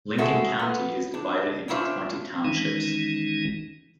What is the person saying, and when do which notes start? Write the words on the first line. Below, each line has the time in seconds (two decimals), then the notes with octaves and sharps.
Lincoln County is divided into twenty townships.
0.18 G#3 E4 F#4 G#4 A4
0.59 B3
1.14 D4
1.68 C#4 D4 E4 F4 C5
2.45 D#3 E3 G#3 C#4 D#4